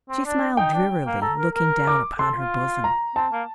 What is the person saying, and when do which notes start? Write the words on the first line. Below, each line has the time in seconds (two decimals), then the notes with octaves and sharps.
She smiled drearily, looking down upon her bosom.
0.09 C4
0.26 D4
0.57 D#4 G5
0.74 D4
1.07 A#3
1.22 A4 A#5
1.39 A#4
1.55 A#4
1.87 D6
2.19 A4 C6
2.36 F4
2.84 A#5
3.16 C4 A5
3.32 A#3